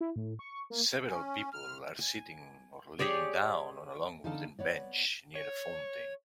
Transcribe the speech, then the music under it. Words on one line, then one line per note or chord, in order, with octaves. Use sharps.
Several people are sitting or laying down on a long wooden bench near a fountain.
E4
A2
C#6
A#3
C#4
F6
G#5
G4 G#4 C#5 D5
D3 D#4 A4 F5 G#5 A5
B3 C#5 D5
C#5